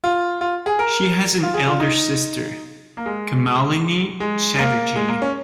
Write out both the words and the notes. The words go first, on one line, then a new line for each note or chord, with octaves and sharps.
She has an elder sister, Kamalini Chatterjee.
F4
F4
G#4
A#4
F4
G#4
F4
D#4
A#3
G#3
G#3
G#3
A#3
G#3
A#3
C#4